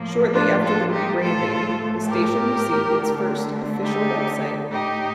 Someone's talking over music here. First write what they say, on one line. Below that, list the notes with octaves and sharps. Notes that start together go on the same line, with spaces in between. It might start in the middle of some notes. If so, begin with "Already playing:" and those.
Shortly after the rebranding, the station received its first official website.
Already playing: A2 F3 A#3
D4 F4
F4 A4
D#4 G4
A2 A3 F4 A4
G4 A#4
D3 A3
D#4 G4
A2 A3 D#4 G4